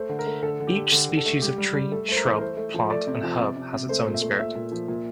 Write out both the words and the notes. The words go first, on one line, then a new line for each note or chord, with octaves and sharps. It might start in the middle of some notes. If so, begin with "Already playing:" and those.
Each species of tree, shrub, plant, and herb has its own spirit.
Already playing: A3 C5
D3
A#4
A3
D3 A4
D3
G4
D3
D3 G4
D3
A4
A3
G3 G4
G3
G3
A3 A4
A3 C5
A#4
E3
A3 C5
A3
F3
A3 D5
C3
F3
C3
C3
C3
A3 C5
A#2
E5
A3
A#2 E5
A#2
F3
A#2